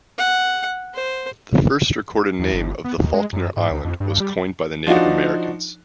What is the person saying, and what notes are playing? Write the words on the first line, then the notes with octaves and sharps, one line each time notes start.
The first recorded name of the Falkner Island was coined by the Native Americans.
F#5
C5
E2
G1
B3
D#2
G#3
F#2
G#2
D2
F2
G2
G3
F3 D4 D#4 F#4